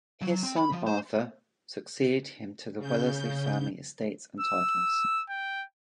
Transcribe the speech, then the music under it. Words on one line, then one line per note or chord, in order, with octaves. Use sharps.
His son, Arthur, succeeded him to the Wellesley family estates and titles.
F#3
C4
B5
F3
C5
C#3 G6
E6
G5